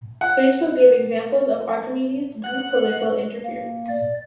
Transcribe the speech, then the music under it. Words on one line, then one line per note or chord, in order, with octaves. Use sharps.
Facebook gave examples of Archimedes Group political interference.
F#5
F#5
A#3
D5